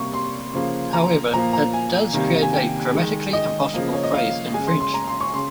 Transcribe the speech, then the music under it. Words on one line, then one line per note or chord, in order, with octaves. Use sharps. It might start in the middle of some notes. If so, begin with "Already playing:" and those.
However, it does create a grammatically impossible phrase in French.
Already playing: C3 G3 A#3 C#6
C6
C#3 F3 A#3
A#5
A#2 F3 A#3 A#5
A#5
G#5
C3 D#3 G3 A#3
G#5
G5
D#3 G#3
D#5
C#3 F3 A#3
C#5
D#5
F5
C#3 G#3 G#5
C6
C6
A#5
C6
C#6
C#3 C6